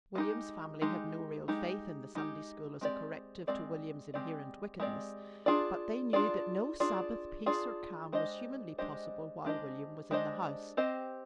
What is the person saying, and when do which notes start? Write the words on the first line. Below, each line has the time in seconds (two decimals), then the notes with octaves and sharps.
William's family had no real faith in the Sunday-school as a corrective to William's inherent wickedness, but they knew that no Sabbath peace or calm was humanly possible while William was in the house.
0.15 G#3 D#4 G4
0.82 G#3 D#4 G4
1.48 G#3 D#4 G4
2.15 G#3 D#4 G4
2.81 G#3 C4 G4 D5
3.47 G#3 C4 G4 D5
4.14 G#3 C4 G4 D5
4.80 G#3 C4 G4 D5
5.46 D4 F4 G#4 D5
6.13 D4 F4 G#4 D5
6.80 D4 F4 G#4 D5
7.46 D4 F4 G#4 D5
8.12 G#3 D4 G4 C5 D#5
8.78 G#3 D4 G4 C5 D#5
9.44 G#3 D4 G4 C5 D#5
10.11 G#3 D4 G4 C5 D#5
10.77 C4 G4 C5 D#5